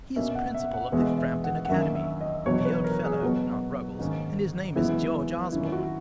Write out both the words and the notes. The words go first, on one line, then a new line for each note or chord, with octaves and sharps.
He is principal of the Frampton Academy--the Old Fellow, not Ruggles--and his name is George Osborne.
B2 A#3 C#4 E5
F#5
E5
F#5
E2 B2 G#3 B3 E5
E5
F#5
F#5
F#2 D#3 A#3 C#4 E5
E5
D#5
E2 B2 F#3 C#5
B4
A#4
G#4
B2 F#3 B3 F#4
G#2 D#3 A#3 C#4
F#2 E3 G#3 B3 E4
F#2 D#3 A#3 C#4 E4
F#4